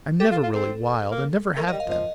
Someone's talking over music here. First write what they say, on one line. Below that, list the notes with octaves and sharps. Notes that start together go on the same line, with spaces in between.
I'm never really wild and never have been.
G4 A4
F4
F4
C4
A#3
A3 A#4
G3 D#5
F5
F3 D#5